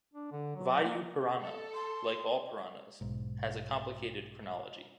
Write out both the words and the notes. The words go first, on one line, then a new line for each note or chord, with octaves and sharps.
Vayu Purana, like all Puranas, has a complicated chronology.
D4
D3
F#3
A#3
A4
C6
B1 G#2